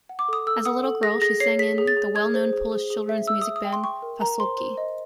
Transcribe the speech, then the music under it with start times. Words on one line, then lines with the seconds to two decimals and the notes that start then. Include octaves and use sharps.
As a little girl she sang in the well-known Polish children's music band Fasolki.
0.09 F#5
0.19 D6
0.28 A4 D#6
0.46 A4 E6
0.65 F#5 D#6
0.84 A4
1.03 G#4 A#6
1.22 G#4 A#6
1.40 C#5 C7
1.59 G#4 B6
1.78 G#4
1.87 A6
1.97 G#4
2.15 G#4 G#6
2.34 C5
2.53 G#4
2.72 G#4
2.90 G#4
3.09 E5
3.27 E5 E6
3.42 E5 D#6
3.56 D#6
3.65 G5
3.73 C6
3.84 G5 C#6
4.02 A#4
4.21 A#4 A#5
4.40 C5 C6
4.58 C5
4.77 D#5